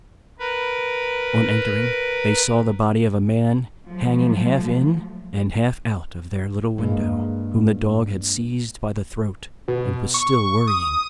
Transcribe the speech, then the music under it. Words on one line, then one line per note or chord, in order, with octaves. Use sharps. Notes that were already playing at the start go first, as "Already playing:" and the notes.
On entering they saw the body of a man hanging half in and half out of their little window, whom the dog had seized by the throat, and was still worrying.
A#4 B4
F3 F#3 G#3 A3
G2 G#3 A#3
B2
C#6
D#6